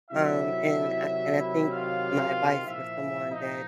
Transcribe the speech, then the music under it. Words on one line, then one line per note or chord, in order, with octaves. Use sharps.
Um, and I and I think my advice for someone that,
C3 D#3 F#3 E4 E5
E4 E5
F4 F5
A#2 F3 E4 E5
D#4 D#5